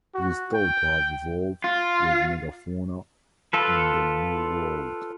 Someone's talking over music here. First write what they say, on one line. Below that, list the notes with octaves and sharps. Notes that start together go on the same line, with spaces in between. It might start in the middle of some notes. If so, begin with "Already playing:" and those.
It is thought to have evolved with megafauna in the New World.
F#4
G5
F4
F4 A4 B4